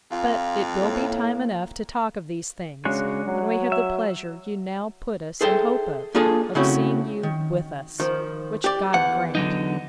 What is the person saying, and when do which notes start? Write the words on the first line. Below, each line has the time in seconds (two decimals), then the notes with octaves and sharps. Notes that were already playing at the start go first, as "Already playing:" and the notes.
But it will be time enough to talk of these things, when we have the pleasure you now put us in hope of, of seeing you with us; which God grant.
0.12 F2 F4
0.81 A2 A#3
2.85 C#3 G#3 D4 F#4
3.24 F#3
3.72 E5
5.41 G#4 A4 C5 E5 F5 G5
6.15 A#3 D4 F4 G#4 A4 A5
6.55 C#3 A3 C4 C#4 E4 F#4
7.23 D#3
8.00 D#3 F3
8.64 G4 D5
8.94 E2 F#5
9.35 D3 F#3 D#4